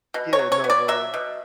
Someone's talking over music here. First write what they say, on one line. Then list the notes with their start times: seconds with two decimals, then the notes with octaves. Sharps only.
Yeah, no the
0.14 B2
0.33 C#5
0.39 F#3
0.52 C#5
0.64 B3
0.70 D5
0.88 F#3 E5
1.14 B2